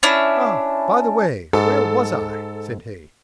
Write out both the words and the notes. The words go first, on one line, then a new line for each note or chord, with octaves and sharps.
"Ah, by the way, where was I?" said he.
C#4 D4 E4
G#2 A4